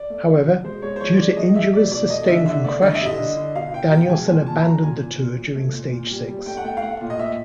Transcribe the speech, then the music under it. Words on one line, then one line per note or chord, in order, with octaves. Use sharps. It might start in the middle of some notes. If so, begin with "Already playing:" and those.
However, due to injuries sustained from crashes, Danielson abandoned the Tour during stage six.
Already playing: D5
A3
B2
B2
G#3 C5
G#3 C#5
C5
F3 C#5
G#3 D5
G#3 D#5
G#3 E5
B2 D5
B2 D5
A3 D#5
D3 E5
D3 E5
A3 D5
D3 D#5
E5
G3
D#5
D3
D3
B2 F5
B2 G5
B2 G5
G5
G#3 G#5
A#2 G#5
A#2 A5
F#3 A#5
A#2 G#5
A#2
A#2
F#3
A3
A#2
A#2
G3
G3
A3 G5
F#5
A3 G5
F5
A3 F#5
A#2
D#5
A2 E5